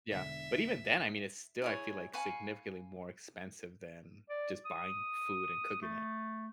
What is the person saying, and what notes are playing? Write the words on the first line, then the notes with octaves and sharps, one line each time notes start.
Yeah, but even then, I mean, it's still I feel like significantly more expensive than just buying food and cooking it.
E1 D3 E5
E4 G#4 C#5
F5 G#5 B5 C#6
D5
D#6
A3